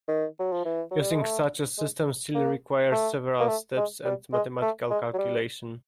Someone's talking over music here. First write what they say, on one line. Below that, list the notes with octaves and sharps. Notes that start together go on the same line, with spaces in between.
Using such a system still required several steps and mathematical calculation.
D#3
F#3
F3
E3
F#3
G3
G#3
A3
G#3
A#3
A3
A#3
A3
G#3
G3
G#3
A3
G#3
F#3
G3